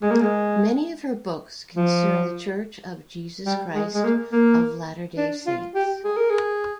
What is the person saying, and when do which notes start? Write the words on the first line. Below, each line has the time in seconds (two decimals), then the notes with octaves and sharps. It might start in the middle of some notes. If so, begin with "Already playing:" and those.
Many of her books concern The Church of Jesus Christ of Latter-day Saints.
0.02 G#3
0.11 A#3
0.21 G#3
1.74 F3
3.46 G3
3.75 G#3
3.94 G#3
4.04 A#3
4.32 A#3
5.17 D4
5.46 F4
5.75 G4
6.05 G#4
6.17 A#4
6.30 G#4